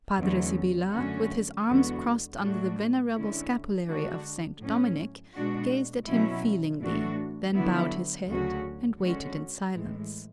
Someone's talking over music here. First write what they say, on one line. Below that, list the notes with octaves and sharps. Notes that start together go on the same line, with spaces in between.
Padre Sibyla, with his arms crossed under the venerable scapulary of St. Dominic, gazed at him feelingly, then bowed his head and waited in silence.
E2 D3 F#3 A3 C#4
F#2 D3 A3 C#4 F#4
E2 D3 G#3 B3 F#4
A2 G#3 D4 F#4
D3 G#3 C#4 E4
D3 G#3 D4 F#4
A2 F#3 C#4
B2 G#3 D4 F#4
B2 F#3 C#4 E4
A2 E3 A3 D4 F#4
D3 F#3 B3 E4
D2 C#3 F#3 C#4 F#4
D3 G#3 C#4 F#4
A2 E3 G#3